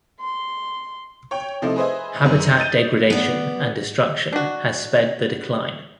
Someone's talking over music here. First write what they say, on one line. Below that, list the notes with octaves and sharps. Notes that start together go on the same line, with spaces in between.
Habitat degradation and destruction has sped the decline.
C6
C#5 G5
C3 F3 A3 D#4 E4
G#4 B4 C5 D#5 E5 G#5
F#2 G#3 B3 C#4
D#5 G6 A6 D#7
B3 D5
D4 F#4